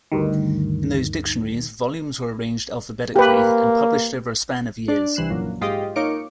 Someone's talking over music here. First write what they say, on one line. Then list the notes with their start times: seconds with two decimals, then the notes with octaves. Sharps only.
In those dictionaries, volumes were arranged alphabetically and published over a span of years.
0.12 D2 G2 D#3
3.16 A#3 G4 B4
4.88 D4 D5
5.15 C2 E3 F#6 C7 E7
5.30 A#1 F#2 A#2
5.61 G#2 G#3 F4 G4 D#5
5.96 A#3 D#4 C#5 D6 C#7 D7